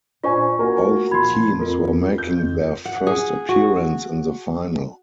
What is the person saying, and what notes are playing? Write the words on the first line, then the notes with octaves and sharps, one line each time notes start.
Both teams were making their first appearance in the Final.
A#2 D4 F4 C5 G#5 C#6
A#3 F#4 A#4 G#5
A#2 F3 B5 C6 G#6
F2 F4 A4 A#4
F2 G6
F#5
G#4
F#4